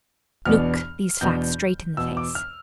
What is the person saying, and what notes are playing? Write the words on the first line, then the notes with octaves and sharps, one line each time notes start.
Look these facts straight in the face.
E2 B2 B3 D4 F6
E2 B2 B3 D4 G6
E2 B2 B3 E6
D6
F6